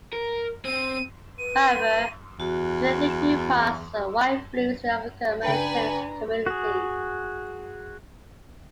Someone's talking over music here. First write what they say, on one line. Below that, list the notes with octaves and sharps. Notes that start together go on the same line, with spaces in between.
However, today the group has a wide influence in the African American community.
A#4
C4 D#7
B4 D#7
E2 F#4
C#3 D4 B4 G5 G#5 A#5 C#7
F#4 G#4